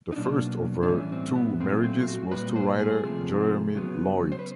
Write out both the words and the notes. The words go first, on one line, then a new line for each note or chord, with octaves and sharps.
The first of her two marriages was to writer Jeremy Lloyd.
D#4
B2 F#3 A#3 D4
D4
A2 E3 G3 C#4
C4
B3
A#2 F#3 A3 C4
C4
F4
F#4
A#2 G3 A#3 B4
C5
G#4
C3 F3 A3
C#3 F#3 B3
C5
B4